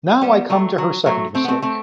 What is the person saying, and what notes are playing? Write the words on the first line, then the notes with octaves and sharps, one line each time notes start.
Now I come to her second mistake.
G3 B3
F#3 A3
F#3
F#3 A3
A3 C4
B3
A3 C4
A3 C4